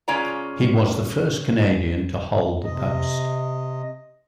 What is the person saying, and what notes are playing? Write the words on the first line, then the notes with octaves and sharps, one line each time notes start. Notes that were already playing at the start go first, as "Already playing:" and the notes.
He was the first Canadian to hold the post.
C#3 G#3 C#4 F4 D5 A#5
C3 D#5